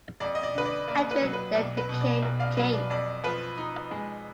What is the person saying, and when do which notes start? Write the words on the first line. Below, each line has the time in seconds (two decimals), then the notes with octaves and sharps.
Edwin then became king.
0.20 F2 D5
0.35 D#5
0.43 D5
0.54 D3 B4
0.66 D5
0.88 A#3 D5
1.11 B4
1.22 F#3
1.33 B4
1.55 B1 D5
1.77 B4
1.89 B2
2.01 D5
2.23 B1
2.39 D5 F5
2.57 F#3 B4
2.73 D5
2.90 F2 D5
3.24 F3 B4
3.58 D#4
3.91 G#3